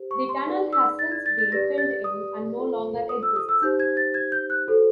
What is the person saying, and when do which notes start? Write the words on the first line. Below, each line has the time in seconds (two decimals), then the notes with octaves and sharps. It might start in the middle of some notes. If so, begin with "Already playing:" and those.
The tunnel has since been filled in and no longer exists.
Already playing: G4 C5
0.11 C#6
0.29 C6
0.47 D#4 G#4 B4 D5
0.73 E6
0.99 A6
1.12 G#6
1.26 A6
1.39 A6
1.52 G4 B4 D5 A#6
1.78 A6
2.04 D#6
2.57 F4 A4 C5
3.09 D#6
3.23 E6
3.36 D#6
3.49 E6
3.62 D#4 G4 C5 G6
3.80 G#6
3.97 A6
4.14 G#6
4.32 G6
4.50 F#6
4.68 F#4 A4 C5